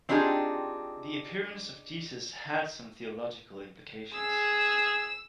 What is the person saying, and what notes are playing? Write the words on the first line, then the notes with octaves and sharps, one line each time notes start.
The appearance of Jesus had some theological implications.
C4 D4 D#4 F4 G4 G#4
G#4 E6